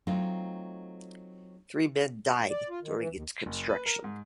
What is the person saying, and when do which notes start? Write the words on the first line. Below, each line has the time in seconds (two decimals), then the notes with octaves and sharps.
Three men died during its construction.
0.07 F#3 A3 C4 D#4 F4
2.50 D5
2.69 F4
2.83 D#3
2.96 E3
3.12 D#2
3.46 F#1
3.69 B4
3.86 A#4
4.04 G#2